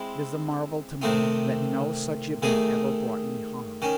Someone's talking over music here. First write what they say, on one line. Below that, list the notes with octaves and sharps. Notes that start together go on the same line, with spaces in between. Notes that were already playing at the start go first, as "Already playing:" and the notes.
It is a marvel to me that no such event ever brought me harm.
Already playing: G#3 C4 E4
C3 D#3 A3 C4 D#4
D#3 A3 D#4 G#4
D#3 C#4